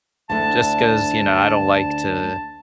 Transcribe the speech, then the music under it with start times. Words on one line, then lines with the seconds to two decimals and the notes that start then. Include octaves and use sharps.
just 'cause, you know, I don't like to
0.30 D2 D3 E4 A5